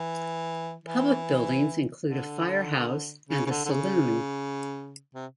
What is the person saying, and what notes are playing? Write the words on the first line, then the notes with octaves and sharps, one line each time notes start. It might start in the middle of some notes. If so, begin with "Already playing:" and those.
Public buildings include a fire house and a saloon.
Already playing: E3
E3
D3
C#3
C#3
D3
D3
C#3
C3